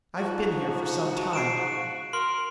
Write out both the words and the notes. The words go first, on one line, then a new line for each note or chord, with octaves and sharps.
I've been here for some time.
G#2 F3 F#4
C7 D7 E7
A#4 C6